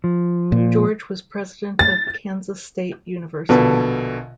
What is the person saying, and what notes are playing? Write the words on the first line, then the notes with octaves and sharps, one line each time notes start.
George was president of Kansas State University.
F3
A#2
A6
A#1 B2 D3 B4 A5